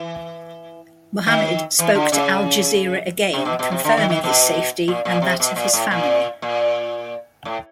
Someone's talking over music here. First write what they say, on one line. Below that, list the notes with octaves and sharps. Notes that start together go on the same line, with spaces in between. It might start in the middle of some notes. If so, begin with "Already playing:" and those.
Muhammad spoke to Al Jazeera again confirming his safety and that of his family.
Already playing: E3
D#3
E3
D3
C#3
C3
B2
B2
C3
D3
D#3
D#3
B2
A#2
A#2
C3
B2
A#2
A2
A#2
A#2
A2